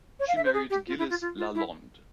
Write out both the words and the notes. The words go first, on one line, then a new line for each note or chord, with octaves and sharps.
She married Gilles Lalonde.
C#5
F5
E5
C5
G#4
G4
F4
E4
F4
F4
F4
E4